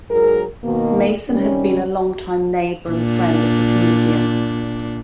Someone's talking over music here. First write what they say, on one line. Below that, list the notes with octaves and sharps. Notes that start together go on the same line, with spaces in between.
Mason had been a long-time neighbour and friend of the comedian.
G#2 F#3 G#4 A#4
B2 D#3 A#3
C3 D#3 G3 C#4
A#2 D4